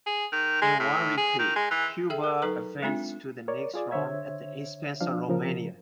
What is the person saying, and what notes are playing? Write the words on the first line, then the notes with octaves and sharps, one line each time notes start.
In one replay, Cuba advanced to the next round at the expense of Romania.
G#4
D#3
G#3
A2
G#4
D#3
G#3
E3
G#4 A4 E5 G5
A#4
F#3 D#4 A4 B4 C#6
G#3 C4 D4 F4
A#4 C#5 D5
F4 G#4 D5
D3 C5 C#5 E5 G#6
F3 D4 F5
C#3 F3 A#4